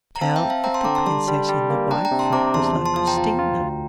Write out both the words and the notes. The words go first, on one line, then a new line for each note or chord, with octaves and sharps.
"Tell if the princess in the white frock was like Christina."
A#5
C4 F5 A5
E5 G5
C4
F5 A5
C4 G5 A#5
A5 C6
D3 A#5 D6
A5 C6
G3 A5 C6
G3
G3
A#3
D4 G5 A#5
G5 A#5
C3
A5 C6
C3 A#5 D6
E2 A5 C6
F3
A5 C6
F3 A5 C6
G5 A#5
F4
F4
D2